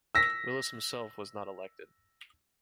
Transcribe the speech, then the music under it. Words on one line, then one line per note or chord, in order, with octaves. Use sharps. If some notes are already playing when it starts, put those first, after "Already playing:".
Willis himself was not elected.
E6 A#6 B6